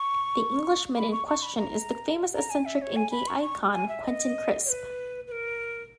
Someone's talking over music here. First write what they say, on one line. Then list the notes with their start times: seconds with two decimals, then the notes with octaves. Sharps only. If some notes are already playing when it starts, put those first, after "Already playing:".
The "Englishman" in question is the famous eccentric and gay icon Quentin Crisp.
Already playing: C#6
0.97 B5
1.12 C#6
1.27 C#6
1.42 B5
1.58 A#5
2.35 A#5
2.50 G#5
2.65 E5
2.82 C#5
2.96 G#5
3.12 B5
3.28 C#6
3.42 C#6
3.73 G#5
3.89 E5
4.04 D#5
4.65 C#5
4.69 B4
5.27 B4
5.32 A#4